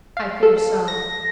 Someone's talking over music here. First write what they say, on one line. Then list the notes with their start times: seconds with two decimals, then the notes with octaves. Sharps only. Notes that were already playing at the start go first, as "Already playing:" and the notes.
"I fear so."
0.17 F5
0.43 A4
0.88 A#6